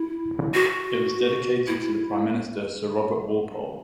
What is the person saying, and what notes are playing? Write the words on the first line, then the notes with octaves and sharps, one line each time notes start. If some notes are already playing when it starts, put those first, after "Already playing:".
It was dedicated to the Prime Minister Sir Robert Walpole.
Already playing: E4
F#4
E4